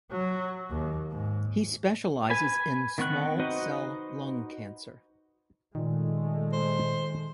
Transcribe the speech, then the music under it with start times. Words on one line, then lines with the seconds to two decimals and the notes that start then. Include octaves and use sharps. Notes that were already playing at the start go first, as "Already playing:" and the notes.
He specialises in small cell lung cancer.
0.11 F#3
0.70 D#2
1.11 G#2
2.30 B4 G#5
2.98 D#3 B3 C4 C#6 F#6
3.39 D#4 F#4 B4 C5 D#5
5.75 A#2 D#3 G#3 A3
6.52 C5